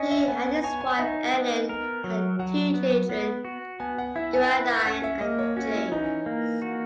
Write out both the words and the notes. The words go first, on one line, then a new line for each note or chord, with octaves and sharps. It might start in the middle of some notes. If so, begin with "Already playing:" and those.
He and his wife Ellen had two children: Geraldine and James.
Already playing: C#4 D#5 G#5
E5
B3 G#5
G#5
C#5 G#5
G#5
D#4 E5
B3
A#4
F#3
F#3 F#5
B3
B3
F#4
B3 G#5
F#5
E4 E5
G#5
B4 F#5
F#5
C#4 F#5
E5
A#3 D#5
C#5
C#4 F#4
E4
E3 D#4
A#3
F#4